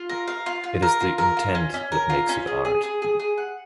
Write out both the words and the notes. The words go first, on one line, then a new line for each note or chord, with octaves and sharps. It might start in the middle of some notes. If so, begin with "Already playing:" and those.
It is the intent that makes it art.
Already playing: F4
A#4
F5
F4
F4
A#4
F4
A#4
F4
C#4
C#4
A#4
F4
C#4
G#4
G#4
G#4
G#4
G#4
F#5